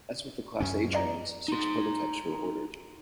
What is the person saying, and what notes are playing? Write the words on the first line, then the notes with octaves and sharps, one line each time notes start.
As with the class A trains, six prototypes were ordered.
F#2 C#4 G#5
D5 D#5 A#5
D#4 C6